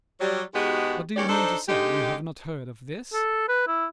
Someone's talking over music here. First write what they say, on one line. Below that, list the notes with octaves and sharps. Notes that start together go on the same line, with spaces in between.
But do you mean to say you have not heard of this?
F#3 G3
G#2 B2 G#3 B3 F#4 G4
D#2 C#4 G4 C#5 D5
D4 D#4 A4 C5
D3 G#3 D#4 G4
A4
B4
E4